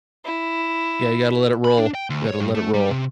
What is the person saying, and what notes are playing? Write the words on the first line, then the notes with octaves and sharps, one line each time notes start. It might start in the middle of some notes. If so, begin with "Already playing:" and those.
Yeah, you gotta let it roll. You gotta let it roll.
E4
B5
D4
G5
D2
C#5
G2
A3
G3
C3